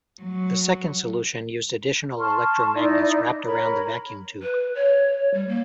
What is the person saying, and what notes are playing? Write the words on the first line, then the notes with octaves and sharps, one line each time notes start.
The second solution used additional electromagnets wrapped around the vacuum tube.
F#3
A5 C6 C#6 F6
D#4 E4 D5
A#4 C#5 A#5 B5
B4
C#5
G3
A#3